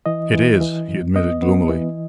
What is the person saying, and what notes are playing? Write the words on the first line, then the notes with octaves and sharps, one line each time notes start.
"It is," he admitted gloomily.
E3 D#5
E3
E3
F#2
B3 D#5
B3
E3